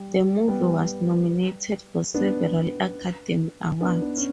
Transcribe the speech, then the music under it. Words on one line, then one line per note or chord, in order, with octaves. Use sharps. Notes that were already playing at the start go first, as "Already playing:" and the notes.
The movie was nominated for several Academy Awards.
Already playing: G3
G3 B3
B3 D4
B3 D4
B3 D4
C#4